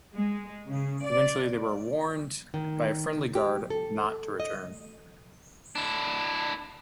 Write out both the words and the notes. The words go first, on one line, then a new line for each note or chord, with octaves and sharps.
Eventually, they were warned by a friendly guard not to return.
G#3
C#3
D5
D#3
G4
A4
D#5
D4 E4